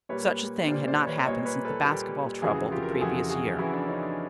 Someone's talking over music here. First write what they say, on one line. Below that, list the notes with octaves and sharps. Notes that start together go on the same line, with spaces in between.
Such a thing had not happened since the basketball trouble the previous year.
A#2 G3 A#3 B4 C#5
A#2 G3 A#3 C5 D5
C5 D5
B4 C#5
A#2 G3 A#3 C#5 D#5
B4 C#5
A4 B4
A#2 G3 A#3 G4 A4
F2 C#3 E3 F#4 G#4
F4 G4
A#4
A4
F2 C#3 E3 F#4 G#4
F#4 G#4
F2 C#3 E3 E4 F#4
D4 E4
C#4 D#4
D4